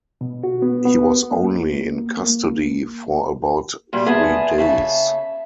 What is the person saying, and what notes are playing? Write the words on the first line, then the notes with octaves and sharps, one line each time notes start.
He was only in custody for about three days.
B2
F#4
B3
B3
A#3
A#3
A#2 G3
B3 G#4 E5 A5
C#3 E5 G#5 A5